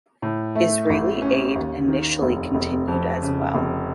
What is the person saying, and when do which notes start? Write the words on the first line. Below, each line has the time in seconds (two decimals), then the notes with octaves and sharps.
Israeli aid initially continued as well.
0.22 A2
0.55 A3
0.90 A1
1.22 C#4
1.55 D#2
1.88 D#3
2.22 F1
2.54 F1
2.88 F2
3.22 C#3
3.55 F1